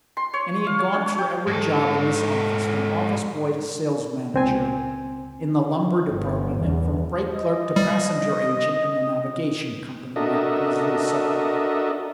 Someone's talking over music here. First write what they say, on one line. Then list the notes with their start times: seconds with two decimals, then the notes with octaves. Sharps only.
"And he had gone through every job in this office, from office boy to sales manager in the lumber department and from freight clerk to passenger agent in the navigation company," Matt Peasley supplemented.
0.17 C6
0.34 C#5
0.67 F5
0.79 C#5
0.94 D4
1.06 C#5
1.18 G5
1.47 G#2 A4
4.34 C#2 C4 G#5
6.10 G1
6.61 E2
7.33 D#5
7.76 G3
10.16 D4 F#4 A4 A#4 D#5 E5